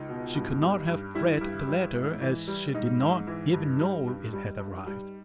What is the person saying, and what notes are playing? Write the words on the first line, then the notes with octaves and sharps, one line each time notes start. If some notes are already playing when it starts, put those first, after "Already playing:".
She could not have read the letter as she did not even know it had arrived.
Already playing: C#2 D#4
B2
G2
G3
G2
G3 E4
G2
G3
G#2
E3
G3
G#2 D#4
G#2
E3
G2
G3
G2
G3
G2
G3